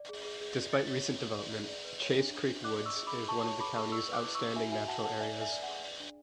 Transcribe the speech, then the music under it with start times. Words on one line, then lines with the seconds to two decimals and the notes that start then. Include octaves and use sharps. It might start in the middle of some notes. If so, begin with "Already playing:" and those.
Despite recent development, Chase Creek Woods is one of the county's outstanding natural areas.
Already playing: D5
0.09 G#4
0.24 G#4
0.41 G#4
0.57 D5
0.73 E4 A6 C#7
0.89 C#5
1.05 C#5
1.21 A4
1.37 D5
1.52 G#4
1.68 D5
1.85 B4
2.00 C#5
2.16 D4
2.32 D4
2.48 D4
2.64 D5 D6 F#6
2.80 D5
2.86 C#6 E6
2.96 G#4
3.07 B5 D6
3.13 G#4
3.28 G#4 A5 C#6
3.44 C#5 A5 C#6
3.60 G#4 B5 D6
3.76 G#4 A5 C#6
3.92 D5 C#6 E6
4.08 B4
4.13 D6 F#6
4.24 E4
4.35 C#6 E6
4.40 E4
4.56 F#4 E5 G#5
4.72 F#4 E5 G#5
4.88 F#4 F#5 A5
5.04 A4 F#5 A5
5.20 D5 E5 G#5
5.36 D5
5.41 E5 G#5
5.52 D5
5.63 F#5
5.68 G#4
5.84 D5
6.00 D4